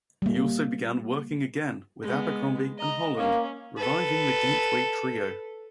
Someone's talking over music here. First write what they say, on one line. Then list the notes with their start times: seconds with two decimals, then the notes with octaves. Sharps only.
He also began working again with Abercrombie and Holland, reviving the Gateway trio.
0.22 G3 A#3
2.03 G#3 B3
2.78 D#5 A#5
3.17 A#3 C#4
3.77 A4 B4